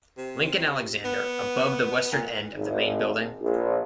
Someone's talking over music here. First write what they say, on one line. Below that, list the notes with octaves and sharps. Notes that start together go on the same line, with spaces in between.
Lincoln Alexander, above the western end of the main building.
C3
B3
A#2
G#1
A#1